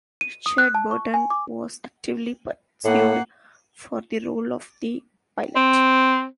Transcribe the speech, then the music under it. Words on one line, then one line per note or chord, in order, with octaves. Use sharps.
Richard Burton was actively pursued for the role of The Pilot.
D#7
D#6
F#6
A5
C#6
G#5
D6
A2 A#3 F#5
C4